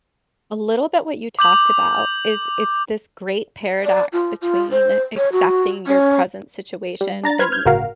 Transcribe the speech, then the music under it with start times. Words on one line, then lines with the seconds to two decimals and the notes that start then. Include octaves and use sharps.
A little bit what you talked about is it's this great paradox between accepting your present situation and
1.39 D6 G6 F#7
3.85 D5
4.13 F4
4.42 F4
4.72 C5
5.17 C#5
5.32 F#4
5.87 C#4
7.01 G3
7.24 D4 A#5 A6
7.39 B4 C5 F6 G#6
7.52 F6 G6 G#6
7.65 G1 A2 C#3 F#4 A#4 F5